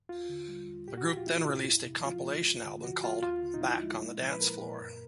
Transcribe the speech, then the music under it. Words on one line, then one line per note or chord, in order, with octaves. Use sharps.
The group then released a compilation album called "Back On The Dancefloor".
D#2 F4
D3
G3
D#2
A#2 G4
F#4
F3 G4
F4
A#3 E4
A#2
F2
C3
F3 F4
A3
D#2
D3
F3 F#4
A#3 F4
D#2 F4
D3
D#4
F3 E4
G#3
A#2
F3
B4
A#3 A#4
A#2
F#2